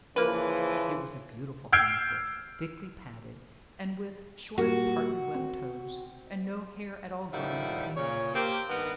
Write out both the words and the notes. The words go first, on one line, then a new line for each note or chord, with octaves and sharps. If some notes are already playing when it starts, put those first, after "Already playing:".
It was a beautiful hindfoot, thickly padded, and with short partly webbed toes, and no hair at all growing between them.
C#3 E3 F3 A#3 B4
E6 F6 G6 G#6 C7 D7
A#2 G3 A#3 F#4
C4
A2 D#3 F3 G3 E5 F#5
A#2 C#3 C#5
A#3 C4 G4
G2 D#3 B3 A#4 B4 F#5